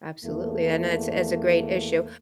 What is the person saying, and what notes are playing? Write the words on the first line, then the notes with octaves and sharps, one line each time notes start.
Absolutely, and that's that's a great issue.
E2 A3 A#3